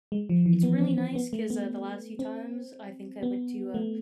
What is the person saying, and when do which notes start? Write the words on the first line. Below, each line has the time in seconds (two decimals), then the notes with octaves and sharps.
it's really nice 'cause, uh, the last few times, I think I went to, uh,
0.12 G#3
0.29 F3
0.46 E3
0.63 B3
0.81 C4
0.98 C4
1.15 B3
1.33 A3
1.50 B3
2.19 C4
3.23 B3
3.74 A3